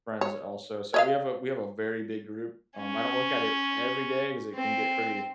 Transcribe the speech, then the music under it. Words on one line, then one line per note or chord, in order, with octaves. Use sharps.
friends also. So, we have a we have a very big group. Um, I don't look at it every day, 'cause it can get pretty
C#5
C#5 D#5 F5
C#4
C4